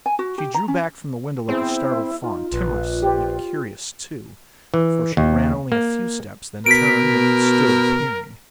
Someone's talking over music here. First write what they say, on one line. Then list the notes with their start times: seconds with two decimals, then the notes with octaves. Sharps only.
She drew back from the window like a startled fawn; timorous, yet curious, too, for she ran only a few steps, then turned and stood peering.
0.06 G#5
0.19 F#4
0.38 G4
0.54 A#5
0.68 C#4
1.49 B3 C4 E4 G#4 C5
2.24 D#4 F4
2.53 A#1 B4
3.03 G4 C5
4.74 E3
5.17 D#2
5.72 A#3
6.66 B2 A#4 B6 D7